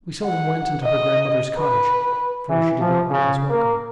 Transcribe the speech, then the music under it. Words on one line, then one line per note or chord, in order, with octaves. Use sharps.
We seldom went into her grandmother's cottage, for she did not make us welcome.
F#5
D#5
B4
E3
F3
C#3
A#3